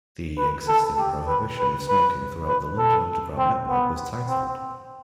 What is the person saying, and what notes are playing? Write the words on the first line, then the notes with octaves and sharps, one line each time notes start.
The existing prohibition of smoking throughout the London Underground network was tightened.
B4
A4
G4
B4
B4
B4
B4
A4
C4
B3
C4